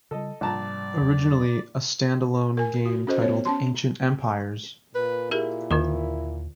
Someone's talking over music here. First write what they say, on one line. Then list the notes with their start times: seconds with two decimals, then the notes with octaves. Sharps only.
Originally a stand-alone game titled Ancient Empires!
0.11 C#3 G3 A4 D#5
0.41 A#1 G#2 C3 G3 D5 A5 A#5
1.01 E2 C3 F#3
2.57 A#4 G#5
2.86 F#4
3.07 C#4 F#4 A4 C5 D#5
3.22 B3 C#5
3.45 C#4 A5 C6
4.95 A#2 B4
5.31 E4 G4 G#4 A#4
5.71 D#2 D3 F4 A#4